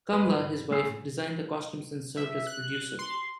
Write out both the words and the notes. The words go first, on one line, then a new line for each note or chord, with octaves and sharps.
Kamla, his wife, designed the costumes and served as a producer.
B4
A2 A3 G#4 D#6 E6 C7
E5
F#6
C6